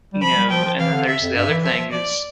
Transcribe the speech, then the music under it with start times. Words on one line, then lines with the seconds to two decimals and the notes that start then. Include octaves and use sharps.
you know, and then there's the other thing is
0.13 G3
0.22 F3 B5
0.36 G3
0.51 F3 G5
0.65 F3
0.79 E3 F5
0.93 D3
1.07 E5
1.21 F2
1.36 G2 E5
1.50 E3
1.64 F3 E5
1.78 F3
1.92 F3 D5